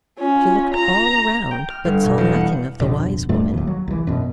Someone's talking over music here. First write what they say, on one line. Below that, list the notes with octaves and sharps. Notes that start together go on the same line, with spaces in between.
She looked all around, but saw nothing of the wise woman.
C#4 F4
A#5
G5
F6
G1
B2
E2
F#5
D1 F2 B2 D3
E2 G2 A#2 A3
D#1 D#2
F#3
C2 E3
F#2 B2